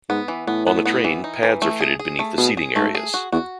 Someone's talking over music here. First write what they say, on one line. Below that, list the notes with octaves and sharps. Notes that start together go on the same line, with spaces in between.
On the train, pads are fitted beneath the seating areas.
G#2 B3
E3
A2 B3
B3
B3
E3
D#4
E3
A3
G#4
G#4
A3
B2 G#4
G#4
G#2 A3
G#4
F#4
E2 F#4